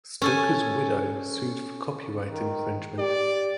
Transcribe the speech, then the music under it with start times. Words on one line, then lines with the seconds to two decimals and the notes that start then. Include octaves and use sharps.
Stoker's widow sued for copyright infringement.
0.22 C#4 A4 G#5
2.31 D#3
2.98 G4 D5